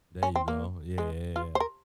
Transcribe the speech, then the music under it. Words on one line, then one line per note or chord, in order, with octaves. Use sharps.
There you go, yeah.
C#4
C4
A#3
G#3
F4
C5
A#4